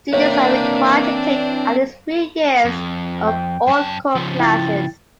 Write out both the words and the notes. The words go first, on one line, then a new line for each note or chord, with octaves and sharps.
Students are required to take at least three years of all core classes.
E3 A#3 C4 D4 C#5 E5
F2
G5
F#2 A5
C#3 F3
E4 G5 A6